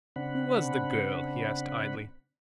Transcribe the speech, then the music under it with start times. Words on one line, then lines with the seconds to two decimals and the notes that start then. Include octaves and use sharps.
"Who was the girl?" he asked idly.
0.16 C#3 C4 D4 F#5 B5